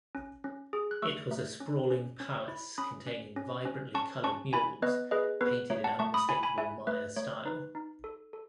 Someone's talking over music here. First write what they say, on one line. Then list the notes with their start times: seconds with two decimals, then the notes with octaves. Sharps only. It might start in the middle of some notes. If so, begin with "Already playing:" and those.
It was a sprawling palace containing vibrantly colored murals painted in unmistakable Maya style.
0.15 C#4
0.44 C#4
0.73 G#4
0.91 F#6
1.02 A3 C#6 E6
1.31 A3
1.60 C#4
1.90 C#4
2.20 C#4
2.48 E4
2.78 C#4 B5 D#6
3.06 C#4
3.36 C#4
3.65 C#4
3.94 C#4 A5 C#6
4.24 C#4 A5 C#6
4.53 E4 G#5 B5
4.82 B3 B4 D#5
5.11 G#4 B4 D#5
5.41 B3 B4
5.70 A3 C#5
5.84 F#5 A5
5.99 A3 A5 C#6
6.14 B5 D#6
6.29 E4 G#5 B5
6.43 G#5 B5
6.58 E4 E5 G#5
6.87 A3 B4
7.16 A3 C#5
7.46 D#4 B4
7.75 D#4
8.04 A4
8.33 A4